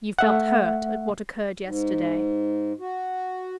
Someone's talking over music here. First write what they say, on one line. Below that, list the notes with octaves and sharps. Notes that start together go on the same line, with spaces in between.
You felt hurt at what occurred yesterday!
A3 E5 F#5
G#2
F#4